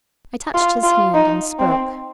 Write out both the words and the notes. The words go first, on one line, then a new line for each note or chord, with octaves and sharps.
I touched his hand, and spoke.
F4
F4
D#4
C4